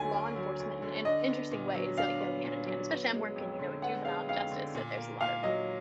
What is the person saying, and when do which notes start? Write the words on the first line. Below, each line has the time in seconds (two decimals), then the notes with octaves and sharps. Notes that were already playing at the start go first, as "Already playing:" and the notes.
law enforcement in in interesting ways, like, go hand in hand, especially I'm working, you know, a juvenile justice, so there's a lot of,
Already playing: D2 D3 F#3 A#3 G#5
0.13 A#3
0.36 F#3
0.60 D2
0.82 D3
1.05 D4 D#5
1.28 B3
1.51 A#2
1.74 F#3
1.98 D4 F5
2.20 B3
2.44 A#2
2.67 F#3
2.90 B3
3.13 G#3
3.36 F2
3.59 D3
3.82 B3 F#5
4.05 G#3 F5
4.28 F2 F5
4.51 D3
4.75 A#2
4.97 A#3
5.20 A#2 F5
5.43 F#3 D#5